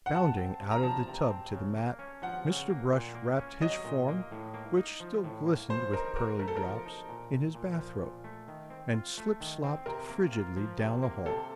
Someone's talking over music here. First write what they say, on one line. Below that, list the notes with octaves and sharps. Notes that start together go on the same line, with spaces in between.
Bounding out of the tub to the mat, Mr. Brush wrapped his form, which still glistened with pearly drops, in his bath-robe, and slip slopped frigidly down the hall.
F#5
C3 A5
C4
C3
A#5
F3 A5
C3
C4
C#3
A#3
C#4
F3 F#5
C#3
A#3
A#2
A#3
C#4
F#3 D#5
A#2
A#3
A2
A#3
D#4
F3
A2
A#3
F3 C5
D#4 A#4
F#4 A#4
A3 A#4
A4
A#4
F3
D#4
A#2
A3
A#2
F3
A#2
A3
D#3
C4
F4
A3
D#3
C4
C3 A#4
A#3
F4
F3
C3
A#3
C3 A4